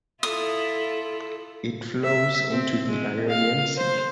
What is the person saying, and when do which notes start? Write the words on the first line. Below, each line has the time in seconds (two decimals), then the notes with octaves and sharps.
It flows into the Ionian Sea.
0.23 E4 F4 A4 D#6
2.04 E5
2.51 C4
2.86 G#3
3.28 F5
3.77 C5